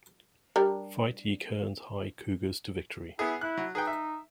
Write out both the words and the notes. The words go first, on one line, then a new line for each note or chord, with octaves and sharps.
Fight, ye Kearns High Cougars to Victory!
G3 D4 A#4
B3 E4 G#4
E4 F#6
F#3
D#4 G#4 B4 G5
E5